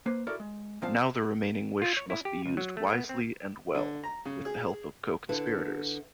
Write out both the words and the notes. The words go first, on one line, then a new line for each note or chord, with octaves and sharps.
Now the remaining wish must be used wisely and well--with the help of co-conspirators.
A#3 B4 C5
E4 F#4 A4 A#4 D5
G#3
A#2 F3 C4 C5 F5 A5
F4
C#5
E4
G4
C#2
F#3
A3
B3
C4
D3
A#5
C#3
G#4
D3 E4 B4